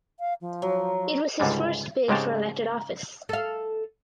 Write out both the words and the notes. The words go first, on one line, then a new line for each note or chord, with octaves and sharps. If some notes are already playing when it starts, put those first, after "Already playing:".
It was his first bid for elected office.
F5
F3
F#3
C#2 G#2 D3 G3 G#3
G#2 C#3 G#3 C4 G4 A5
A4 F5